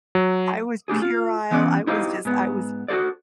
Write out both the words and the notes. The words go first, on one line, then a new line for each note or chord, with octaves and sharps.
I was puerile. I was just I was
F#3
A3 D4 G4 G#4
F4
E3 B3 C#4 D5
D#4 E4 G4 C5 D#5 F5
G#2 B3
F#4 G4 A4 C5 D5